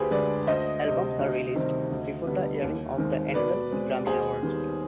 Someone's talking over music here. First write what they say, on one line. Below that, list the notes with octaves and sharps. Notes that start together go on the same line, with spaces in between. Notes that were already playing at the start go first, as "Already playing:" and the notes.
Albums are released before the airing of the annual Grammy Awards.
Already playing: D2 G4 G#4 B4 C5
D3 G#3 B4 D5
D2 C5 D#5
C3 G3
D2
C3 D#3 G3 C4
D2
D3 G3 B3
D#2
D#3 G#3 C4
B2 B4 D5
G#3 C4
D#2 G#4 C5
D#3 G3 B3